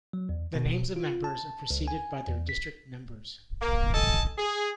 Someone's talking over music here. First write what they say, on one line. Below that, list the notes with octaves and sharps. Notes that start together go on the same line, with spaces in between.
The names of members are preceded by their district numbers.
F#3
E2
B2
F4
A5
C#2
G#5
E2
B6
A#3
A4 D#5 G#5 A5
G#4